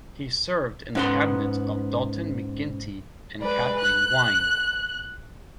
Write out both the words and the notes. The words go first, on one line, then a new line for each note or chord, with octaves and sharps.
He served in the cabinets of Dalton McGuinty and Kathleen Wynne.
G#2 G#3 B3 C#4 D#4 C6
G#3 B4 D5
F#6